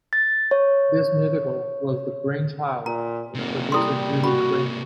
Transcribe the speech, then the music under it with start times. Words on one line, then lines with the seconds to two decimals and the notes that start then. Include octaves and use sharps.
This musical was the brainchild of producer Judy Craymer.
0.13 A6
0.51 C#5
2.86 A#2 A#5
3.35 F1 C3 A#3
3.72 G3 E4 A4 C6
4.24 F#4 B5